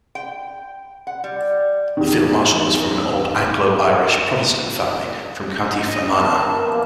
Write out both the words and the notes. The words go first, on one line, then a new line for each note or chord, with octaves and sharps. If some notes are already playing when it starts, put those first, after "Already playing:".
The Field Marshal was from an old Anglo-Irish Protestant family from County Fermanagh.
G5
F#5
G3
E2 D#3
D#5
B2 E4 A#4 A5
B2 F3 A#3